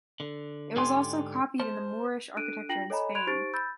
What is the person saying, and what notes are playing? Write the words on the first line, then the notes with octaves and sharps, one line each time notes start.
It was also copied in the Moorish architecture in Spain.
D3
G#2 D3 G4 D5 G#5 C6
C5 A5
D4 A4 F#6 D7 D#7
D4 F4 G5 A#6 F#7
A4 C#5 D#5 G#5 A#5 B5
B5 C6 F#6 G#6 D7 F7
D#4 G4 C5 C#6 A6 D7
B5 E6 G6 A6